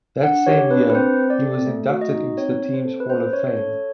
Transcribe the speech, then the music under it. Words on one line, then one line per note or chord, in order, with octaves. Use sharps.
That same year, he was inducted into the team's Hall of Fame.
D4 F#5
G4 C#5
D4 B4
B4
C4 C5
C4
D5
A4
A3
F#4
D#5
D#4
C4 C#5
C4
C5
A4
B4
C#4 C5
C#4 C#5
A4 C#5